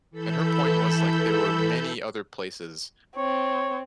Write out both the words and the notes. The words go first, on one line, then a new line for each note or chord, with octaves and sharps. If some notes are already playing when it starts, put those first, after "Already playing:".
And her point was, like, there were many other places
E3 A4 B5 E6 G6
C4 C#5